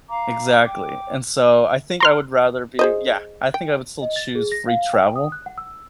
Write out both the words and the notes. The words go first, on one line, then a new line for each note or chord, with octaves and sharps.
Exactly, and so I think I would rather be yeah, I think I would still choose free travel,
F5 A#5 D6
G5 D6
A#5 C6 F6
G#4 C5 D#5
G5
D#5
A6
G#4
A#6
F5
G5
D#6
F#6
F#5
E6